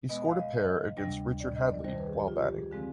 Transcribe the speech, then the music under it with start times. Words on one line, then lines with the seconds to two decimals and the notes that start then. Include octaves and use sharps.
He scored a pair against Richard Hadlee while batting.
0.09 B2 G#3 B3 D#5
0.25 F5
0.39 D#5
0.53 D#5
0.97 D2 C3 G3 D4
1.40 D5
1.55 D#5
1.69 D5
1.84 F2 D#3 G3 C5
1.98 B4
2.07 G#4
2.13 G4
2.28 F4
2.42 G4
2.56 G#4
2.71 D3 F3 G#3 C4 G#4